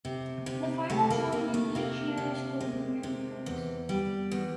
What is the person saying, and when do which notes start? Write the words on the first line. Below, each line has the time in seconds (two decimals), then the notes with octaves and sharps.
The final tournament each year is called the "Grand Prix".
0.05 C3
0.46 C3
0.90 C3 A3
1.10 A#3
1.32 C3 A#3
1.54 A3
1.75 C3 A#3
2.17 C3
2.61 G#3
3.03 C3
3.46 E2
3.89 G3
4.31 E2